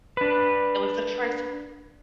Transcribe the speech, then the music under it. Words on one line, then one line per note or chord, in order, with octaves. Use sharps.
It was the first.
D4 B4